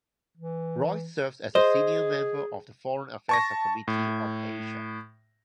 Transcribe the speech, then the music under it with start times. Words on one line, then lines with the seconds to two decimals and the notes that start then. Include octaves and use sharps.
Royce serves as a senior member of the Foreign Affairs Subcommittee on Asia.
0.37 E3
1.55 G#4 C5 D#5
3.29 A5 C#6 A#6
3.88 A2